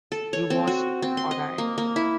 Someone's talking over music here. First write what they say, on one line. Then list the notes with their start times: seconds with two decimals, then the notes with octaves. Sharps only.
He was ordained.
0.12 A4
0.33 C#5
0.50 C4
0.67 F#4
1.02 C4
1.17 C6
1.31 D#5
1.58 A#3
1.78 A#3
1.96 E4